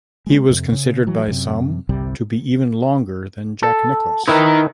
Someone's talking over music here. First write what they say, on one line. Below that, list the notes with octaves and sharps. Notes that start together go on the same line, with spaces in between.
He was considered by some to be even longer than Jack Nicklaus.
G#3 C4
F2 C3
C#3
E3 F#3
F#2 C3
G1 C2 C3 G3
A4
D#3 D#4 E4 A#4 B4